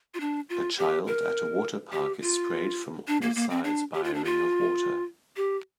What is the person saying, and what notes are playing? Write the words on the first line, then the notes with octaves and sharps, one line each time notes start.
A child at a water park is sprayed from all sides by a ring of water.
F4
D4
F4
G4
A#4
G4
F4
D4
A#3
A#3
C4
D4
G4
F4
D4
F4
G4